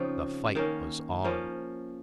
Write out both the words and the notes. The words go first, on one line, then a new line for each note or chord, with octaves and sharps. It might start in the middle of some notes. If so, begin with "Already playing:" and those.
The fight was on!
Already playing: C#3 F3 C4 D#4
D#3 A#3 C#4
F3 A#3 C#4